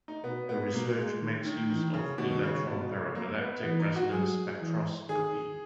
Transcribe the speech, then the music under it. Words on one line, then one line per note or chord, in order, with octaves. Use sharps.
Her research makes use of electron paramagnetic resonance spectroscopy.
D#4
B2 B3
B3
B2 A#3
G#3
D#3
D#3
D#3 E3
C#3
B2 D#3
C#3
B2
C#3
A#3
B3
E3 B3
D#4
F#4
F#3 G#4
E3
D#3 G#4